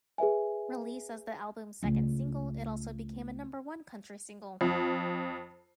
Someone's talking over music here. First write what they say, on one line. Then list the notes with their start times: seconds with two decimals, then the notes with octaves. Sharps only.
Released as the album's second single, it also became a number-one country single.
0.18 G#4 B4 E5 G#5
1.83 C#2 A3
4.61 F2